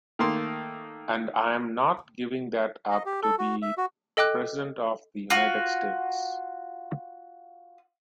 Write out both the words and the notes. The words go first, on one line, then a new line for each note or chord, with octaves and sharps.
And I'm not giving that up to be President of the United States.
D#3 A3 A#3 C6
D#5
G4
A4
F#4
E5
F#4
A4 D#5 G5 D6 F#6
F4 F#4